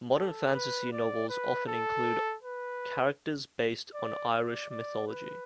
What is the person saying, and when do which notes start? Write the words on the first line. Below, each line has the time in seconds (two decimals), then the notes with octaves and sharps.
Modern fantasy novels often include characters based on Irish mythology.
0.16 A4
0.54 B4
0.92 D5
1.29 B4
1.67 A4
2.43 B4
3.95 D5
4.33 D5
4.70 D5
5.08 B4